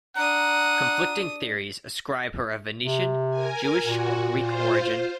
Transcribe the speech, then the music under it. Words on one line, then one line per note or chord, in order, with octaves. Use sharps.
Conflicting theories ascribe her a Venetian, Jewish or Greek origin.
D4 F#5 A#5 D#6
C3
A#4 G#5
A#2 F#4
F4 C5